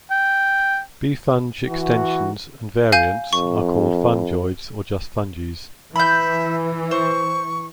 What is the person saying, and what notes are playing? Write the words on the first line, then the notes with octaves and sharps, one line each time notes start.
Befunge-extensions and variants are called "Fungeoids" or just "Funges".
G5
E3 F#4
F5 G#5 G6
F2 C#6
E3 E5 B5 G6
C5 C#6